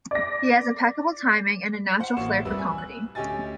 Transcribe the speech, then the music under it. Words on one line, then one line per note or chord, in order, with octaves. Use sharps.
He has impeccable timing and a natural flair for comedy.
D5 A#6
C5 F#5
A1 A#3 F#4 C#6 E7
F1 C2 G3 B4 E6
G#5
F#6
D2 C#4 G4 D#5 G#5 A6